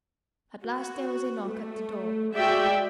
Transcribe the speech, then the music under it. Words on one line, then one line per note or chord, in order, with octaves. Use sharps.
At last there was a knock at the door.
F#4
A3
G#3 F#4 D5 E5 G5